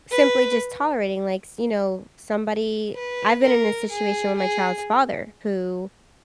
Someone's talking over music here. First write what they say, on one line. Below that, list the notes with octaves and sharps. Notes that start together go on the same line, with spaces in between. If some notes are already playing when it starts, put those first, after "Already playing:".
simply just tolerating, like, s you know, somebody I've been in a situation with my child's father who
B4
B4
A#4
G#4
G#4